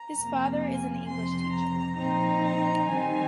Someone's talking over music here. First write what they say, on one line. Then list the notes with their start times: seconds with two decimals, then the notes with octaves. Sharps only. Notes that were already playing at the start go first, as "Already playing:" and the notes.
His father is an English teacher.
Already playing: A#5
0.18 F2 C3 F3 A#3
0.62 G#5
1.08 F2 C3 F3 C6
1.53 A#5
1.98 A#2 F3 C4 D#4 A#5
2.44 A#5
2.88 D#3 G3 C4 D#4 G#5